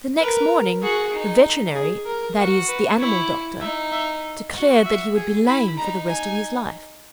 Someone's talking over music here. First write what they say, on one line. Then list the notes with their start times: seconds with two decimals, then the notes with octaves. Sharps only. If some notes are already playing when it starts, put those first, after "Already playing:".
The next morning the veterinary--that is, the animal doctor--declared that he would be lame for the rest of his life.
0.20 A#4 B4
0.82 F#4 G#4
1.13 D#4
1.75 G#4
2.06 A#4
2.37 F#4
2.68 B4
2.98 E4 C#5
3.61 D#4 E5
3.92 E5
4.54 F#4
4.86 E5
5.16 G#4
5.47 E4 B5
5.78 D#4 A#5
6.09 G#5